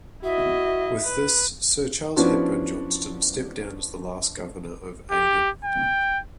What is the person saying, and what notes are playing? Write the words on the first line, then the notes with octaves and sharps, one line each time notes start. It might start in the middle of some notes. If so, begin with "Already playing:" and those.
With this Sir Charles Hepburn Johnston stepped down as the last Governor of Aden.
E4 F#4 D#5 E5
B4
F3 B3 C#4 D4 E4 F#4
G4
G5